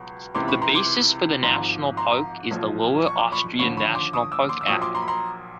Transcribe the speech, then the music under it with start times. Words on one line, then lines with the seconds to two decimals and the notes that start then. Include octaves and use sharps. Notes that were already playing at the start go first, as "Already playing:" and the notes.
The basis for the national park is the Lower Austrian National Park Act.
Already playing: C#2 B2 F#3
0.35 C#2 C3 E3 C6 D6
0.48 B5 C#6
0.62 A#5 C6
0.75 C6 D6
1.43 G#1 G#2 F3 A#5 C6
1.97 A#5 C6
2.51 B1 A#2 F3
3.06 C#6
3.19 D6
3.32 B5 C#6
3.59 D#2 D3 F3 B5 C#6
3.77 B5 C#6
3.95 C6 D6
4.13 C#6 D#6
4.32 D6 E6
4.49 C6 D6
4.61 E6
4.67 A#1 A#2 F#3 C#6 D#6
4.82 C6 D6
4.95 A#5 C6
5.02 B5
5.08 A#5 C6